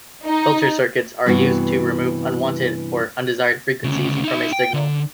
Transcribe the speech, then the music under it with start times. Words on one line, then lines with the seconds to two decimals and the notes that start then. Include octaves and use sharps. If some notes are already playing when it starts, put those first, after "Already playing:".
Filter circuits are used to remove unwanted or undesired frequencies from a signal.
0.25 D#4
1.26 G2 C3 E3 B3 F#4
3.84 D2 C#3
4.24 D#4 E5
4.53 G5
4.74 D3